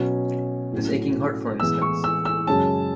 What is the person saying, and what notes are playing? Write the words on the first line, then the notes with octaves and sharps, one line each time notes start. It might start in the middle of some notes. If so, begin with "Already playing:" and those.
This aching heart, for instance.
Already playing: B2 F#3 C#4
A2 F#3 A3 C#4
A2 E3 G#3 B3 E6
C#6
E6
E6
F#2 C#3 G#3 C#4 A5